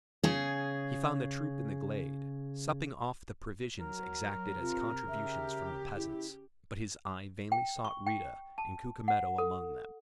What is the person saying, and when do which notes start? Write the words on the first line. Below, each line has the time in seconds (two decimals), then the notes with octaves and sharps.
He found the troop in the glade, supping off the provisions exacted as contributions from the peasants; but his eye vainly sought Rita and Cucumetto among them.
0.23 C#3 G#4
3.80 F#3 A#4
4.61 C3 F4
5.09 C#3 G4 E5
5.96 E4
7.52 G5
7.85 C#6
8.07 G5
8.58 A5
9.08 F#5
9.38 A4